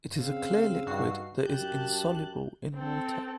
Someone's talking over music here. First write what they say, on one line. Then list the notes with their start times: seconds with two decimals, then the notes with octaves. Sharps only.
It is a clear liquid that is insoluble in water.
0.19 C#3 C4 F5 E6
0.87 G2 D#4 F#4 C7
1.45 F#2 G4 A5 F#6 G6
2.75 C4 A4